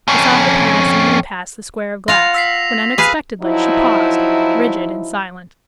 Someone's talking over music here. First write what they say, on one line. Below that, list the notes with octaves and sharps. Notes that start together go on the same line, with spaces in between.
They saw her pass and repass the square of glass, when, unexpectedly, she paused, rigid and silent.
F2 C#4
F4 F5 F#5 A#6 F7
E6 B6 C7
G#4 B4 F5
F3 F#3 D#4 E4